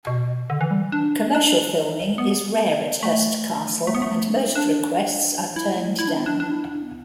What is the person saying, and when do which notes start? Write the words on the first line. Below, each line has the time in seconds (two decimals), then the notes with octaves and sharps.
Commercial filming is rare at Hearst Castle and most requests are turned down.
0.07 B2
0.50 D3
0.61 E3
0.71 G3
0.92 D4
1.35 D4
2.18 B3
3.03 A3
3.87 A3
3.95 B3
4.02 A3
4.29 D4
4.42 E4
4.56 D4
5.56 E4
5.76 A3
5.99 E4
6.08 D4
6.16 B3
6.26 D4
6.40 D4
6.51 E4
6.63 D4
6.82 B3